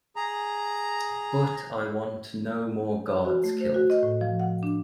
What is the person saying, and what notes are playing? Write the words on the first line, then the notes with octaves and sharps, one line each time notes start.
But I want no more guards killed.
G#4 A#5
C#5
F#4
A3
C5
F#4
D#5
A2
F3
F#5
D4